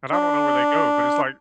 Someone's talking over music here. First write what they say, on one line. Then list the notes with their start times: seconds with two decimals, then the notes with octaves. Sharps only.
and I don't know where they go, but it's like
0.12 D4